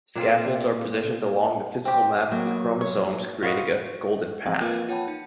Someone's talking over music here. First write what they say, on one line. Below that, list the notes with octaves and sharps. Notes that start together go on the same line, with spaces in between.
Scaffolds are positioned along the physical map of the chromosomes creating a "golden path".
A#2 C4 F4 A4
C4 G4
F#3 A#3 B3
C#5
F4 F#4 B4 D#5
E3 F3 C4
A#3 F4 A#4 B4 F5
F4 C#5 F#5 G5 A5 B5
D#4